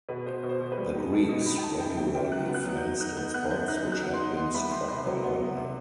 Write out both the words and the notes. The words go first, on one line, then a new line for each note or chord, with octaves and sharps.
The Greeks regularly fenced in spots which had been struck by lightning.
B2 B4
B2 C5
B2
C5
B2
B4
G3
D#4 G4
B2 A4
B2 D#5
D#4 B5
G5
D#4 A5
F#2 G5
F#3 G5
F#2 G5
F#3 F#6
B3
F#6
F#3
G6
D#4
D#4 F#6
B3 G6
B3 F#6
F#2 G6
D#4 F#6
F#3
F#6
B3
C6
D#4
B3 C6
C2 B5
C2 C6
C3 C6
F#3
B3
C3
C3